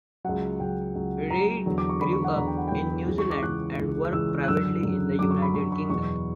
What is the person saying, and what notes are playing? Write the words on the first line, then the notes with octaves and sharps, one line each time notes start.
Reid grew up in New Zealand and worked privately in the United Kingdom.
C#2 C#3 F#3 F#5
C#2 C#3 F#3 G5
C#2 C#3 F#3
C#2 C#3 F#3 A#5
E2 D3 F#3
D6
C#6
E2 D3 F#3 B5
C#6
F#5
E2 D3 F#3 A#5
G5
F#5
E2 D3 F#3 G5
C#2 C#3 E3
C#6
D6
C#2 C#3 E3 F#6
C#2 C#3 E3
C#2 C#3 E3 E6
F#6
F#2 D3 F#3 E6
F#2 D3 F#3
F#2 D3 F#3 D6
C#6
B5
F#2 D3 F#3 C#6
C#6
E2 B2 F#3 C#6